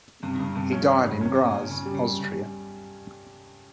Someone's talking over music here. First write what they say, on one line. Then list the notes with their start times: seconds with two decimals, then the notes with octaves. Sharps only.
He died in Graz, Austria.
0.23 G2 C3
0.35 D#3
0.39 G2 C#3
0.56 G2 C3
0.71 F3 C#4
0.88 G2 D#3
1.04 G2 C#3
1.21 C3 C#4
1.35 G2 C3
1.45 A#2
1.54 C#4
1.70 C#3 C#4
1.86 G3
1.95 C#3
2.02 G2